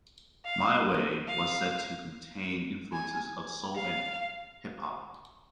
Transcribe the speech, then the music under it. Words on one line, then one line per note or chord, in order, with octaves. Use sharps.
"My Way" was said to contain influences of soul and hip hop.
F5
F5
G#5
F5